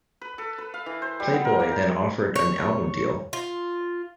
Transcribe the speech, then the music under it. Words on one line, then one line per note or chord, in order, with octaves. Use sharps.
Playboy then offered an album deal.
B4
A4
B4
F5
E3
C5
G3
B3
A#4
A#3
G5
C#5
F4